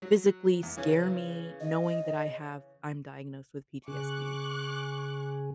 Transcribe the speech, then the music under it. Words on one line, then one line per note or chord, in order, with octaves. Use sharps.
physically scare me knowing that I have I'm diagnosed with PTSD.
F#3
E2
C#3 E3 C#4
D#5
C#3 G#4 C#6 D6 F#6